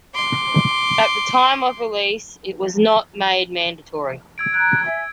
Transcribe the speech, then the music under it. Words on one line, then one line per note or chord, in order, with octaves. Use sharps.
At the time of release, it was not made mandatory.
C6 D6
E6 G#6 D7
A#5 F#6 G#6 D7
E5 G#5